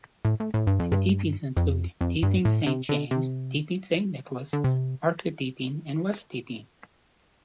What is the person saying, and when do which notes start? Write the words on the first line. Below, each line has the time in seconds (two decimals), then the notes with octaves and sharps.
The Deepings include: Deeping Saint James, Deeping Saint Nicholas, Market Deeping and West Deeping.
0.25 A2
0.40 A2
0.54 A2
0.67 G2
0.80 F2
0.92 G2
1.57 F2
2.01 F2
2.23 G2
2.45 A2
2.67 C3
2.89 D3
3.11 C3
4.53 D3
4.64 C3